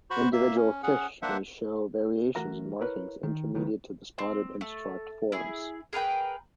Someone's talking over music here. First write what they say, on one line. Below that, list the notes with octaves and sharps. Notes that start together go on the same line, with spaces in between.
Individual fish may show variations in markings intermediate to the spotted and striped forms.
F#4 C5 B5 C#6
A#3 E5
C#4
C#4 G#4 F#5
A#3 D4 C5 E5 F#5
E3 A3 F#4 A#4 A#5
E4 A#4 B4 C#5
D#3
C#2 D#3 F#3 G#3 B3
C4
A3
E4 G#4
G#4 A#4 B4 G5